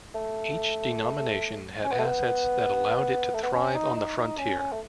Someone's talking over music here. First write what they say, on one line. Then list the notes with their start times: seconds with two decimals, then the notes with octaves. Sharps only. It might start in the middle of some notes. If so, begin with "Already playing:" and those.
Each denomination had assets that allowed it to thrive on the frontier.
0.15 A3
1.84 C#4
1.92 B3
1.99 A3
2.06 B3
3.34 A3
3.43 B3
3.54 C#4
3.75 D#4
3.96 D#4
4.18 D#4
4.38 C#4
4.59 C#4
4.72 A3